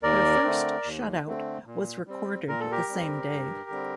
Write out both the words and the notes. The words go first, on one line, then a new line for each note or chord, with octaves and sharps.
Her first shutout was recorded the same day.
D#2 A#4 D5
D3 A3 C4
D#2
D3 A3 C4
A#2
G3 C4
A#2 A#4
A4
G4 A#4
G3 C4
G2
D3 G3 C4